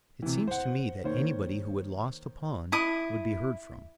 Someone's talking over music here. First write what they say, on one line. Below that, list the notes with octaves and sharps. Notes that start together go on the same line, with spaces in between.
It seems to me that anybody who had lost a pond would be heard from.
C3 E3
C5 F#5
D#3 A#3 C5 C#5
E4 D#6